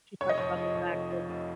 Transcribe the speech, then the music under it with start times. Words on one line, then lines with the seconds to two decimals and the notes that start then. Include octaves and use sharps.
she talked about the fact that
0.21 F1 C#5
0.29 D#5
0.38 F2 C#5
0.57 F3
0.75 F2
0.93 F1
1.11 F3
1.29 F1